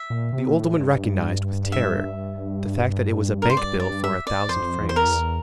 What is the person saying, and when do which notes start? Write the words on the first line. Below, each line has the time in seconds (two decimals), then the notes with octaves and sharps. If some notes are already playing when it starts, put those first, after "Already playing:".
The old woman recognized, with terror, the fact that it was a bank-bill for a thousand francs.
Already playing: E5
0.10 A#2
0.33 C3
0.49 A#2
0.56 A2
0.80 G2
1.72 E5
3.42 A#4
3.50 C5
3.57 D5
3.80 D5
4.04 E5
4.27 D5
4.49 F2 C5
4.80 E2
4.89 C5
4.96 A#4
5.06 F2
5.12 E2